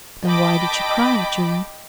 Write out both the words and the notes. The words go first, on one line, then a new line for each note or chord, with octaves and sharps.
"Then why did you cry, June?"
D#5 G5 A5 B5 D6